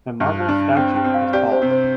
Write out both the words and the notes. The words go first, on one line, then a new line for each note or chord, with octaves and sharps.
The marble statue is tall.
G2
D4
C4 G5
G5
C4
F5
G4 D5
C5
C3
C5